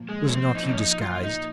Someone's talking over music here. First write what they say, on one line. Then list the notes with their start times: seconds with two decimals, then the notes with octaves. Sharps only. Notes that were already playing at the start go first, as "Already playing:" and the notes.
Was not he disguised?
Already playing: A#2 F3 A#3
0.09 G#3
0.27 C#4
0.32 C4
0.55 D#4
0.63 C4
0.71 C#4
0.77 D#4
1.01 F4
1.23 D#4